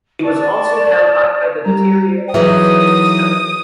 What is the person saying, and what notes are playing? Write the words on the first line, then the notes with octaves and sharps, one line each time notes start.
He was also held back by the deteriorating state of his health.
D5 A5 C#6
G3 A#5
E3 F#3 D#4 G#4 B4 E5 D#6